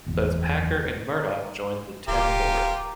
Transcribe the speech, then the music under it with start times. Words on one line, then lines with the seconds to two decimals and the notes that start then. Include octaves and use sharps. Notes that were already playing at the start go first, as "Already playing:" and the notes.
Both Packer and Murdoch joined the Ten board.
0.06 F#1 E2 E3
1.12 D#4
2.08 D1 F4 G4 A#4